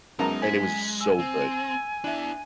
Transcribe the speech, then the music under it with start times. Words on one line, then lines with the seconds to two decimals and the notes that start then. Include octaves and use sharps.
and it was so good.
0.19 F#2 G#3 B3 D#4 A#4 A5 A#5
0.42 G#3 G#5 G#6 B6
1.01 G#5 E6
1.19 C4
2.04 B3 D4 E4 E5